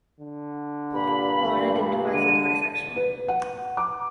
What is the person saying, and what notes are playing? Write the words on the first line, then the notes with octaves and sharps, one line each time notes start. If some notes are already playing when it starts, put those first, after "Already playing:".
Lauren identifies as bisexual.
D3
G2 A#2 B5
D3 D#7
B4
F#5
D6